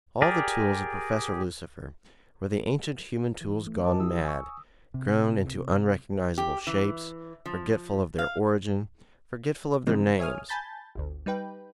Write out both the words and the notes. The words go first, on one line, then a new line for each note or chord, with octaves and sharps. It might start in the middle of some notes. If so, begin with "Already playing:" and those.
All the tools of Professor Lucifer were the ancient human tools gone mad, grown into unrecognizable shapes, forgetful of their origin, forgetful of their names.
G4 G#4 A#4 D5
E3
A3
A#4 D#5 A5 D6
F3 E4 G4 D#6 E6
G#5 C#6
C3
G4
E3
F3
F5
C#3 E3 F3 G#3 C4 D#4
C#5 E5 G#5 D#6 F6
G#5 A5 B5 G6 A6
G1 D2
G3 D#4 B4 G5